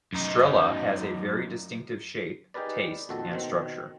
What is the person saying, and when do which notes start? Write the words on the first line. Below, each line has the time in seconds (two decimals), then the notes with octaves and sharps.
Strela has a very distinctive shape, taste and structure.
0.13 F#2 D#4
2.54 D#4 G4 G#4 A#4 B4 D5
3.09 A#1 F2 D#3 F#4 A4
3.32 B2 D#3 C4